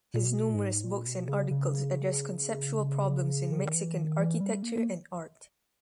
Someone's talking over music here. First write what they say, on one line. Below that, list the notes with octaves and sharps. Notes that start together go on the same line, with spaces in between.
His numerous books and articles addressed conceptual problems in Mexican architecture and art.
A#2
B2
A#2
G#2
A#2
B2
C#3
C#3
D#3
C#3
D#3
E3
D#3
E3
G3
A#3